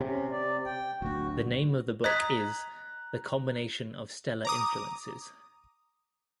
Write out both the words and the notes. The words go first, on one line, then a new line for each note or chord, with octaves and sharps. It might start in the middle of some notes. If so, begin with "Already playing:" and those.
The name of the book is "The Combination of Stellar Influences".
C3 C#4
D5
G5
D1 D2 F#4
D#5 A#5 D#6 F#6 G#6 B6
A#5 D6 D#6